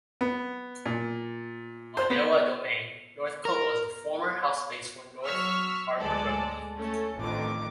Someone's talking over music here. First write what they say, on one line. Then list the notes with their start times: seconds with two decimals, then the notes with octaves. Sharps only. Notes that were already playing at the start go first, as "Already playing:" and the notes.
Onewa Domain, Northcote was the former home base for North Harbour rugby.
0.21 B3
0.86 A#2
1.97 C5
2.10 B3
3.45 A#4
5.25 F#3 C#6 E6 F6 B6
6.00 D2 G#3 A4 D5
6.76 A3 C#4 A4
7.17 A1 F2 D3 D#3 D6